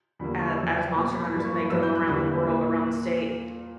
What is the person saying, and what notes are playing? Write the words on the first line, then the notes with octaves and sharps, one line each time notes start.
a as monster hunters and they go around the world, around the state
E2 D3 G3 A#3 B5
C#6
E2 C#3 F#3 E6
G5
B2 A#3 A#5
B5
G2 F#3 A#3 B5
C#6
G2 F#3 B3 E6
G6
F#6
E2 D3 G3 A#3 B5
A#2 A#3